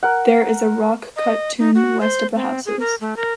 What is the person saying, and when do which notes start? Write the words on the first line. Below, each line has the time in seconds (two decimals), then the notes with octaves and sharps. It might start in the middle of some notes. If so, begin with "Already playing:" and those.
There is a rock-cut tomb west of the houses.
0.03 A#4 F#5
1.16 D#5
1.59 D#4
1.75 F#4
2.01 C5
2.35 C4
2.66 G#4
2.80 A#4
3.01 A3
3.16 A#4